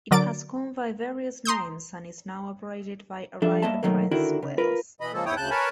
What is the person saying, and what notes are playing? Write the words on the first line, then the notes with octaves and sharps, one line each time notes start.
It has gone by various names and is now operated by Arriva Trains Wales.
D3 F#3 A#4 D5 A6 D7
A#5 C6 D#6 G6
F3 D4 A4 E5
G2 A#3 B3 D#5 E5 A5
B2 D#3 F#3 A3 A#3
D3 D#3 E4 F#4 A#4
C#3
F4 A#4 B4
B2 E3 D#5 B5
C#3 F3 G#3 A#3 A4
E2 G#2 E4 C#5 G5 D#6
D2 C#3 A5 F#6 G6
A#4 B4 C#5 G#5 A5 B5